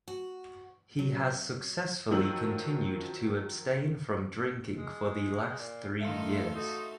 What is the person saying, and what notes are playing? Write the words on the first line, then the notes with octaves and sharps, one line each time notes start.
He has successfully continued to abstain from drinking for the last three years.
F#4
F#3
D#3 F3 F#3 E6 F#7
G#3
A#2
A2 D#3 A4 E5 F5 C6
D#4 F#4 A4